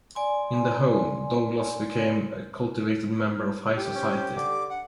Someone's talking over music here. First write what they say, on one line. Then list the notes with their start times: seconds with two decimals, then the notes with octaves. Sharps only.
In the home, Douglass became a cultivated member of high society.
0.15 D5 G#5 C6
3.77 G4
3.96 C#4 C5
4.36 D3 D6
4.69 F#5